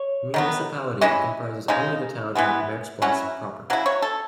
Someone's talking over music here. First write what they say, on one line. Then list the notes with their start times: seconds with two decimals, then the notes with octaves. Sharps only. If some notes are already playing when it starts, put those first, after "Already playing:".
The municipality comprises only the town of Merksplas proper.
Already playing: C#5
0.34 D#3 F#3 B3
1.01 E3 G#3 C#4 E4 D#5
1.68 C#3 G#3 D#4
2.35 E3 G#3 B3
3.02 F#3 C#4 E4
3.70 C#3 F#3 E4
3.86 C#5
4.02 A4